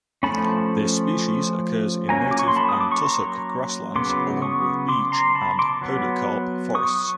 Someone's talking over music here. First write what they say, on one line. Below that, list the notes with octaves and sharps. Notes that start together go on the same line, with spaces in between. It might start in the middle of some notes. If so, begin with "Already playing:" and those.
This species occurs in native and tussock grasslands along with beech and podocarp forests.
F3 A3 C#4 A5 B5
F#3 A#3 C#4 G#5 A#5
D6
C#6
C6
A5 B5
D#6
D6
C#6
A#5 C6
C#3 F#3 B3 C6 D6
C#6 D#6
C6 D6
A#5 C6
A5 B5
C6 D6
F#3 B3
C#6 D#6